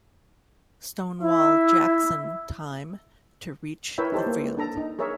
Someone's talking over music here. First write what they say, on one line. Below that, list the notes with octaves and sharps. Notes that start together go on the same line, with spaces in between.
"Stonewall" Jackson time to reach the field.
E4 E5
E4 A#4 B4 C#5 E5 G5
D#4 G4 A4 C5
A#3
D4 A4 A#5
D#4
G#4 A#4 C#5 E5